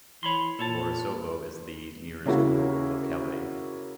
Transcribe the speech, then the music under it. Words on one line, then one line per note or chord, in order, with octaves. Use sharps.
Borisovo is the nearest rural locality.
E3 C#5 B5 C6
A#2 A4 C#5 A5
C#3 A#3 E4 F#4